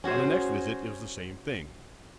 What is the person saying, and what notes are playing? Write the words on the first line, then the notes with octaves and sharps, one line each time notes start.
On the next visit it was the same thing.
C#4 F#4 G#4 C5